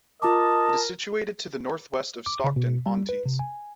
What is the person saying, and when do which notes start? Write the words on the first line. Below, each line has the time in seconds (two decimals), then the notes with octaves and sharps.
It is situated to the north-west of Stockton-on-Tees.
0.22 F4 A#4 D#5 A5 D6
2.26 D6
2.44 C#3
2.56 B2
2.86 G3
3.09 B4
3.26 C3
3.39 G#5